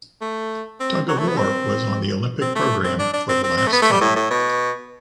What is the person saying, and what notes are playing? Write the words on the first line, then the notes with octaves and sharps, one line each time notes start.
Tug of war was on the Olympic program for the last time.
A3
C4
F#3
A3
B3
C4
C4
A3
C4
D4
D4
C4
C4
C4
A3
B3
A3
G3
A2
A2
B2